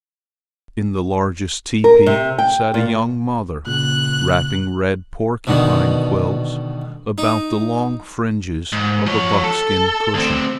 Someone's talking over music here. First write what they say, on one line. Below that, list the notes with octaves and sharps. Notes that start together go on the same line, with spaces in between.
In the largest teepee sat a young mother wrapping red porcupine quills about the long fringes of a buckskin cushion.
A#4
C3
G5
A#2
A#2 C#3 F#6
B2 D3 D#3
D#4
G#2
F3 C#5
A4
D2 C4